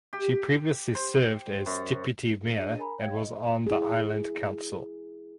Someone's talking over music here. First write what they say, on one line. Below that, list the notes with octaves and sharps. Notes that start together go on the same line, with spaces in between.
She previously served as Deputy Mayor and was on the Island Council.
G4
C5
F#2
D4 G#4 C#5 D#5 D#7
A#4 G#5 A#5 B5
C#5 F5 G5 G#6
D#5
E4 G#4